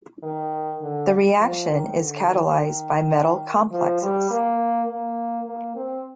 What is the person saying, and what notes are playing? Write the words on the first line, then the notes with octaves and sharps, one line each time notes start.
The reaction is catalyzed by metal complexes.
D#3
D3
F3
D#3
D3
D#3
F3
G3
A#3
A#3
A#3
C4